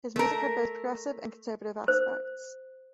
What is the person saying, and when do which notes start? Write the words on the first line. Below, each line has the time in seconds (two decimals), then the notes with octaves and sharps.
His music had both progressive and conservative aspects.
0.16 A3 A#4
1.88 C5